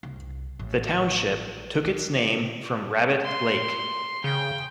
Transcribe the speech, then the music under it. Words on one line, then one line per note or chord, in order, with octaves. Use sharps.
The township took its name from Rabbit Lake.
C2
A1
D#4
C6
C#3 G5